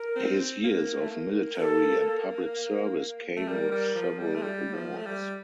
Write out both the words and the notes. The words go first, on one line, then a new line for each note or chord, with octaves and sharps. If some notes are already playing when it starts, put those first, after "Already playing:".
His years of military and public service came with several awards.
Already playing: A#4
C4
A#3
A3
A#3
A#4
A4
A3
G3 A#4
G3
F3
G3
A3
G3
F3
A3
G3